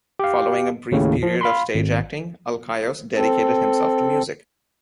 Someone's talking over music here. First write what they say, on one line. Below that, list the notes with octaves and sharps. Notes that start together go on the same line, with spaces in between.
Following a brief period of stage acting, Alkaios dedicated himself to music.
G4 F5
D#2 A2 C#3
F3
F5 B5 C6
G#1
C4 A4